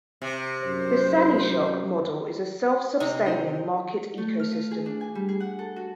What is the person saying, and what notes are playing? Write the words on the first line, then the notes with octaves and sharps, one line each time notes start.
The SaniShop model is a self-sustaining market ecosystem.
C3
F#2 C5
C3 D#4
D#4 C5
A3
F6
F4
G#4
D4
G#5
G3
G#4
F#5
A4
F#4